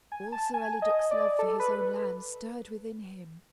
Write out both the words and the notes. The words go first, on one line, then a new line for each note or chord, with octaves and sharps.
All Sir Eliduc's love for his own land stirred within him.
G#5
A5
G#5
D#5
D5
A4
B4